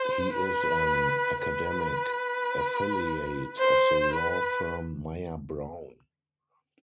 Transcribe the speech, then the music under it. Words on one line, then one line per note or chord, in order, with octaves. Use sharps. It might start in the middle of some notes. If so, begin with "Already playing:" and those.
He is an academic affiliate of the law firm Mayer Brown.
Already playing: C5
B4
B4
C5
B4